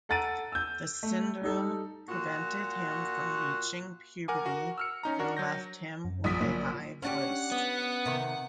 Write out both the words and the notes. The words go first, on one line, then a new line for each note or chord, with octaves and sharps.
The syndrome prevented him from reaching puberty and left him with a high voice.
A4 F#5 A#5 A6 D7 D#7
E6 G6
A3
G3 D#4 A4
A#2 F#4
A#4 F#5 G#5 D6
F#4 A#4
E6 F6 C#7
C#4 D#4 A#5
D4 F#4 A#4
F#3 G6 A#6
F#2
A#1 D#6 B6
A#1 F#3 A#3
C#4 D4 G4 F#5
B3
C3 D#3